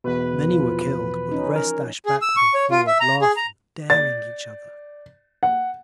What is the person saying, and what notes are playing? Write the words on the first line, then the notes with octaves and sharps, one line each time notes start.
Many were killed, but the rest dashed backward and forward, laughing, daring each other....
E2 B2 B4
E3 F3 F4
C#4 D#4
A#4
G#4
E6
C#6
C#5
F4
E5
A#5
G#4
A#5
D5 A6
F#5